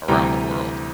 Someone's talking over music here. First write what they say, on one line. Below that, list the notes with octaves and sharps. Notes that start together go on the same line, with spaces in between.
around the world.
D2 C3 E3 G3 G5 A#5